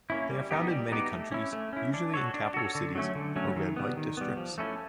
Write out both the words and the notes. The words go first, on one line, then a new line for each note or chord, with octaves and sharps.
They are found in many countries, usually in capital cities or red-light districts.
A#3 C#4 E4
G3
B3 D#4 G4
G3
B3 D#4 G4
A3
C#4 E4
A3
C#4 E4
D4
F#4 A4 C#5
D4
F#4 A4 C#5
D3
F#3 A3 C#4
D3
F#3 A3 C#4
D#3
G3 B3
D#3
G3 B3
F3
A3 C#4 E4 A4